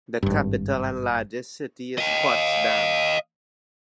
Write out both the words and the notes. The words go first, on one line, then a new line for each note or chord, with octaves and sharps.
The capital and largest city is Potsdam.
G#1 G2
D#5 F5